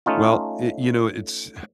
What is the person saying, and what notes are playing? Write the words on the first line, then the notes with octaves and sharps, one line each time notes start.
well, it you know, it's
A3 C#4 D#4 F4